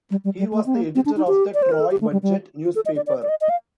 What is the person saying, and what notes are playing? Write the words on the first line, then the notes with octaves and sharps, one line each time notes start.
He was the editor of the "Troy Budget" newspaper.
G3
G3
G3
A3
C4
A#3
C4
D4
D#4
G4
D5
C5
A#4
A4
G4
A3
G3
G3
F4
A4
D#5
D5
D5
D5
D#5
D#5
F5